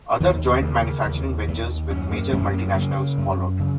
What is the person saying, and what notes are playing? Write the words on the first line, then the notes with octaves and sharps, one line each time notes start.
Other joint manufacturing ventures with major multinationals followed.
D#2 D#3
C#3 A#3
D#2
D#2
F#2 C#4
A#3
F#2 C#4
A#3
C#3 A#3
F#2
C#3